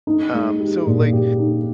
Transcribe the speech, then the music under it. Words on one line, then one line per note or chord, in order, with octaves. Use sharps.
um, so, like,
D#4
G#3
G4
A#2
G4
D#4